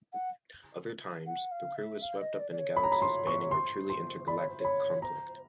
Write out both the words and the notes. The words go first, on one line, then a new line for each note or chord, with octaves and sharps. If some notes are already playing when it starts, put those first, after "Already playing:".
Other times, the crew is swept up in a galaxy-spanning or truly intergalactic conflict.
F#5
F#5
F5
E5
F5
D#5
D5
D5
C#5
B5
A#5
B5
C6
C#6
C#5
C5 C6
C6
D5 B5
C#5
C5
C#5 B5
C5 A#5